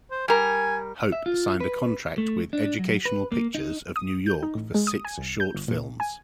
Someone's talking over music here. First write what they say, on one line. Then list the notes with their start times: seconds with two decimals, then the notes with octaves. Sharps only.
Hope signed a contract with Educational Pictures of New York for six short films.
0.11 C5
0.28 G3 A#4 G#5
1.12 E5
1.26 F4
1.60 B4
2.18 A3
2.53 D4
2.79 F#3
3.05 B4
3.32 A#3
3.55 D#4
3.96 D#6
4.26 G6
4.43 D#4
4.55 A1
4.74 G#3
4.87 D#6
5.05 G#5
5.18 C2
5.40 G6
5.55 G1
5.68 A#2
6.00 G#5